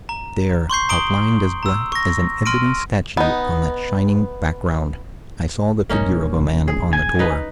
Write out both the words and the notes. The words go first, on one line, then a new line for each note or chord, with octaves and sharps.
There, outlined as black as an ebony statue on that shining background, I saw the figure of a man upon the tor.
A#5
C6 C#6 G6 C7
A#5 D#6 D7 F#7 G7
A#5 E6
C#6 A#6
C6 F6 A#6 D7 D#7
B3 D#4
E1 A#1 G2 A#3 C#4 D#4
G#4
G#5
D#4 B4